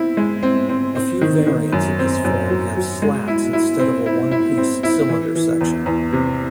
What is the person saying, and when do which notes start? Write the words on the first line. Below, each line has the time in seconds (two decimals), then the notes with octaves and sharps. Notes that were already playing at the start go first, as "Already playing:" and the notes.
A few variants of this form have slats instead of a one-piece cylinder section.
Already playing: C4 E4
0.17 G#3
0.43 C4
0.69 C4
0.95 C4
1.21 D#3
1.47 D#3
1.73 F#2
1.99 C4
2.25 F#2
2.50 F#3
2.77 F#3
3.02 G#3
3.28 E4
3.53 E4
3.79 C4
4.06 E4
4.31 E4
4.57 C4
4.83 E4
5.09 E3
5.36 E3
5.61 E2
5.86 E2
6.12 C3